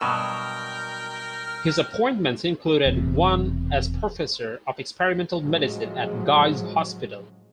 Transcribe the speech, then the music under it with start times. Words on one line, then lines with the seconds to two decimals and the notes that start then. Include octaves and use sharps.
His appointments included one as Professor of Experimental Medicine at Guy's Hospital.
0.01 G2 B2 F#3 A#4 G5 F6
2.86 E1 E2 C3
5.43 A2 C#3 F3 F#3 G#3